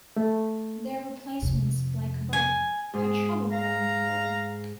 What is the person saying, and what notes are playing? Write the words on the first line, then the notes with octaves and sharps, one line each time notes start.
Their replacements, like Berck, had trouble filling the void.
A3
F2 C3
G#5
G#2 G#4
F5 A#5